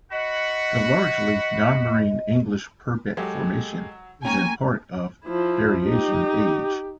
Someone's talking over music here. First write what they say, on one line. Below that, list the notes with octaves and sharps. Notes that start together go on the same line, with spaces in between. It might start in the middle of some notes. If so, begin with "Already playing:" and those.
The largely non-marine English Purbeck Formation is in part of Berriasian age.
F#4 D#5 F#5 B5
F#3 G#3 G4 A4
A#3 C#4 G5 G#5 A#5 C#6
F3 E4
D#4 G4